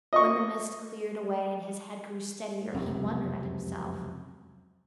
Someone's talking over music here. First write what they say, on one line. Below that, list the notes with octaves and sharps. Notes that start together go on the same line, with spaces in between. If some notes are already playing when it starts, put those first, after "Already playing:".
When the mist cleared away and his head grew steadier, he wondered at himself.
D#5 C#6
F1 C#2 F#2 C3